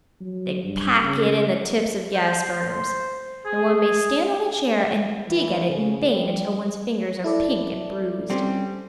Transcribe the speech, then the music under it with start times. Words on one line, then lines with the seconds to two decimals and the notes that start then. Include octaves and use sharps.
They pack it in the tips of gas-burners; and one may stand on a chair and dig at it in vain until one's fingers are pink and bruised.
0.20 F#3
0.63 G2
1.02 C#3
2.14 C5
3.45 G#4
5.28 E3
5.69 C#3
6.11 G3
7.24 E4 A4 D5
8.30 G3 C4 C#4